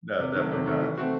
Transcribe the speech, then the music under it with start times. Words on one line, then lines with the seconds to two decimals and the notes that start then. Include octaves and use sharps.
no, definitely not,
0.19 C3
0.36 D#3 F#3 A3
0.51 C3
0.66 D#3 F#3 A3
0.82 E3
0.98 A3 C4 F#4